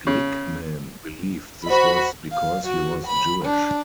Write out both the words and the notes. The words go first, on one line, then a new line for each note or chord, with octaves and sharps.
Glickman believed this was because he was Jewish.
C#3
F#4 C5 D#5 B5
F5
F#4
B5
D4